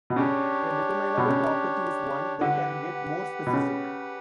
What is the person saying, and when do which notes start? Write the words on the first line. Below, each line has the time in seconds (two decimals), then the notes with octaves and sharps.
A determinable property is one that can get more specific.
0.10 B2
0.16 C#3 D4 G4 C#5
1.18 B2
1.28 C#3
2.41 D3 G4 B4 F#5
3.46 B2
3.53 C#3